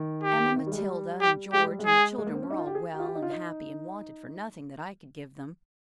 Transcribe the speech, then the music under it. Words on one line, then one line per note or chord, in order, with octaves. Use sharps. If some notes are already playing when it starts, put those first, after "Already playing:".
Emma Matilda and George and the children were all well and happy and wanted for nothing that I could give them.
Already playing: D#3
G4
D#3
G3
G#3
G3
G4
G#3 G4
G3
G#3
G#4
G#3
A#3
C4
C#4
D#4
F4
G4
G#4
G4
F4
G4
D#4
F4
D#4